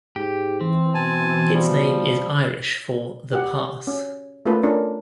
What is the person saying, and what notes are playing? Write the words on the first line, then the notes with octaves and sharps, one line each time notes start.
Its name is Irish for "the pass".
G#2 G4
E3 C4
B2 G#5 A5
F3 G3
G4 F#5
C#4
A3 A#3 C#4 F4 A4 B4
C#4 D4 F4 A#4